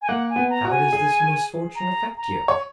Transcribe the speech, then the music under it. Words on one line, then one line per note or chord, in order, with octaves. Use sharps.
How does this misfortune affect you?
G#5
A#3 F#5
G#5
B3
A#5
F#4
G#5
G#4
A#5
A#5
C#5